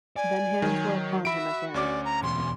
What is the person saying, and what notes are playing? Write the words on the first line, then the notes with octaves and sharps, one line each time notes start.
Then hands were upon him again.
D5 G#5
D#3 F#3
F#4 E5 B5 D7
D2 C#4 D5 D6
A#5
E2 B2 C6